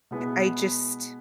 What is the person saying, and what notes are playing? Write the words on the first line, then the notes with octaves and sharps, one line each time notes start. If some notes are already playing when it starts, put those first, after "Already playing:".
I just
B2 G#3 B3 E4 B4